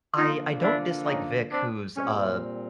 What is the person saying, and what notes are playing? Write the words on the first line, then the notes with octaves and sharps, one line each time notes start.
I I don't dislike Vic who's, uh,
D3 F3 A#3 D#4 F4
D4 E4
C#4 D#4
C4 D4
A#2 G3 C4 C#4